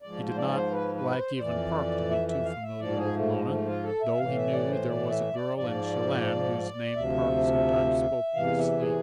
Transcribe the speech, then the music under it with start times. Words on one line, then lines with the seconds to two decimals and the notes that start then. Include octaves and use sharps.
He did not like even Park to be too familiar with Mona, though he knew there was a girl in Shellanne whose name Park sometimes spoke in his sleep.
0.02 G#2 F3 D5
0.28 C5
0.37 D5
0.54 C5
0.72 B4
0.95 B4
1.18 C5
1.36 C5
1.40 F2 E3 D5
2.11 E5
2.28 E5
2.45 F5
2.62 E5
2.79 G#2 F3 D5
2.97 G#4
3.06 G#3
3.15 A3
3.32 G#3
3.49 A3
3.66 F4
3.83 A4
4.01 E5
4.18 A2 E3 F5
4.36 E5
4.53 D5
4.70 C5
4.88 D5
5.11 E5
5.34 D5
5.57 G#2 F3 D5
6.96 D2 C3 F3 E5
8.34 E2 C3 E3 F5
8.58 E5
8.80 G#4